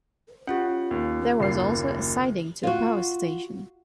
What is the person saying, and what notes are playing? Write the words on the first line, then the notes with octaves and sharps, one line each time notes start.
There was also a siding to a power station.
C#4 F4 G4 F#5
D#2
F#1 D#2 C7
F4 F#4